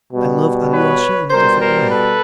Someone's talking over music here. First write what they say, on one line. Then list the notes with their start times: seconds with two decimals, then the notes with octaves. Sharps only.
I love Alyosha in a different way.
0.13 B2 G3
0.72 B4 C#5
1.31 B2 G3 A#4 C5
1.60 A#4 C5
1.89 A4 B4